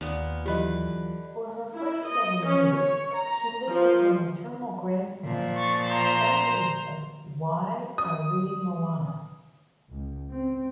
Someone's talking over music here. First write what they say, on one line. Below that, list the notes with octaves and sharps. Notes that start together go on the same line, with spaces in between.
For her first seven years she lived with her maternal grandparents southeast of Waikaremoana.
D#2 A#2 B3
D3 E3 F#3 F4 G4 B4 D#5
E4
D#5
C#4
C#5
A#5
F3
A#2 F3
C#6 A6
C5 A#5
D#6
C#2
C4